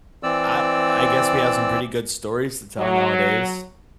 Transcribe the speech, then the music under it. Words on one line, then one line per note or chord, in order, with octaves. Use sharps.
I I guess we have some pretty good stories to tell nowadays.
E3 C4 D5 E6
F#3